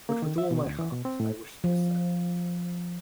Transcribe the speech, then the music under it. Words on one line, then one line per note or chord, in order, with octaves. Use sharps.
But with all my heart, I wish it was so.
A#3
D#3
E5
B2
D2
E3
B2
C4
A2
F3